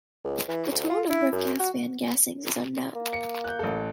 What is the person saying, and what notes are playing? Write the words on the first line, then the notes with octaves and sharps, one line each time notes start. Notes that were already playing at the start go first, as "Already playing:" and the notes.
The total number of gas van gassings is unknown.
C#2
E3
D2
F4
E4
F#2
F#4
A#3
C#7
F#6 G6
A1 A4